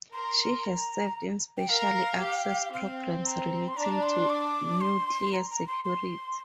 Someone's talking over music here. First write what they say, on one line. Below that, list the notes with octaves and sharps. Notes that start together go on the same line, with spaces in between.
She has served in special access programs relating to nuclear security.
A#4 C6
A#5
G5
A#4 F5
G4
C4 F5
A#5
C6
D4 A#5
C6
D6
C6
A#5
A#5
C6
C6